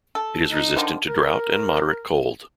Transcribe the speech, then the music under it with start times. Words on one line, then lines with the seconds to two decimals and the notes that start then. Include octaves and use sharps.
It is resistant to drought and moderate cold.
0.15 A4
0.51 D#4
0.77 D3 D#3 F3
1.08 A#4